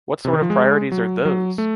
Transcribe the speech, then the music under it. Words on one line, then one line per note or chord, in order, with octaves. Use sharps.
What sort of priorities are those?
C3
D#3
F3
G#3
F#3
F#3
A3